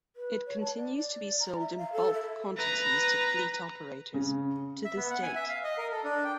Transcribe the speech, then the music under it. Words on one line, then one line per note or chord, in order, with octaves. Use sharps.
It continues to be sold in bulk quantities to fleet operators, to this date.
B4
C#5
A5
D5
D5
A#5
E5
F5
A4
E5
B4 A#5
C#3
E5
B3
F#5
G#5
E5
F5
D#5
A#4
A4
D4
G5